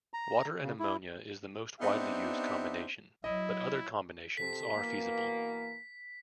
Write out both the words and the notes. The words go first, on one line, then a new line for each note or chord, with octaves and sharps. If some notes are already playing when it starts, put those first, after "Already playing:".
Water and ammonia is the most widely used combination, but other combinations are feasible.
A#5
C#3
E4
B3 C4 D4 D#4 G4 E5
F#3 E4 D#5
C3 A4 B6
B2 E3 A#3